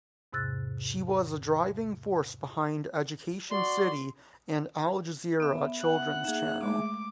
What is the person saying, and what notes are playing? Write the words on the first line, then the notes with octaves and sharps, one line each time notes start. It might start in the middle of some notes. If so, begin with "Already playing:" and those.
She was a driving force behind Education City and Al Jazeera Children's Channel.
E2 G#2 C3 E6 F#6 A6
F#4 D5 C6
B3 E5
F#5 F#6
A#3 D#4 G#4 E5
G#3 A3 D6